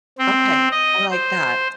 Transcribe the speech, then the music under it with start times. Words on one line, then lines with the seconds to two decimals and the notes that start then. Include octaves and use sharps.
Okay, I like that.
0.18 C4
0.72 D#5
1.11 C5